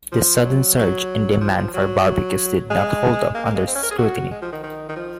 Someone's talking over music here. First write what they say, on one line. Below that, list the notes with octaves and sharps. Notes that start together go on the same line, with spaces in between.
The sudden surge in demand for barbecues did not hold up under scrutiny.
F3
F#3
F#3
F#3
F3
F3
F#3
G#3
A#3
A#3
G#3
C4
C#4
A#4
G#4
F#4
G#3
F3
D#3
D#3
D#3
F3